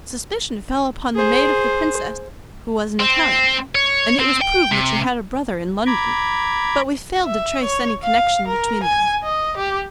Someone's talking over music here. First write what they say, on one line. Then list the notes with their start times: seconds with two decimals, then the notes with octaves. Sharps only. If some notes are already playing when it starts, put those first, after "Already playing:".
Suspicion fell upon the maid of the Princess, who was an Italian, and it was proved that she had a brother in London, but we failed to trace any connection between them.
1.16 G#4 C5
3.00 C4
3.75 C#5
4.20 C4
4.41 G5
4.71 C3
5.86 A#5 B5 D6 G#6
7.25 E5
7.63 C#5
8.03 F5
8.47 A#4
8.83 G#5
9.23 D#5
9.57 G4